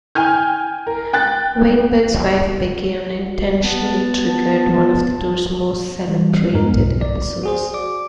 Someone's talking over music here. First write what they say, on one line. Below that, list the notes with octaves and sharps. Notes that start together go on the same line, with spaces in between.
Weinberg's wife Becky unintentionally triggered one of the tour's most celebrated episodes.
G5 G#5 F6 G6
A#4
G5 F#6 A6
B3 A5
E3 G3
F2 G#2 B3 D#4 A#4
B1 G2
D5
F#4 G#4 C5
D5 D6